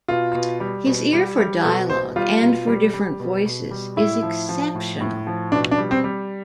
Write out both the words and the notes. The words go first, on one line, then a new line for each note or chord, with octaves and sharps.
His ear for dialogue, and for different voices, is exceptional.
B2 F4
B2
G3
B2
G3
G3
B2 A4
B2 C5
G3 F4
B2
G3
G3
B2
B2
G3
A2 E4
F3
F3
A2
A2
F3
B2 D4
D4
G3
C4
G3